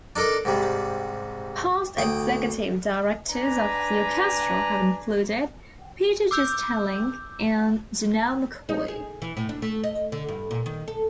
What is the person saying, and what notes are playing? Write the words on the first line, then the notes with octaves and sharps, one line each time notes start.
Past executive directors of the orchestra have included Peter Gistelinck and Janelle McCoy.
D4 D#4 A4 A#4 D5
G#2 C3 G3
D2 G5 D#6
D4 B4 G#5 A#5
D6 E6 G6
D#4
G#4
E3
A2
D4
A3
D#5
D3
G2
A#2
D#3
A4